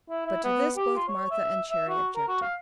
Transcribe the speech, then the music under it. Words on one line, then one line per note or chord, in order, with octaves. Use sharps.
But to this both Martha and Cherry objected.
E4
E4
B3
G4
F4
C#5
E5
E5
F#4
A#4
F#4
F5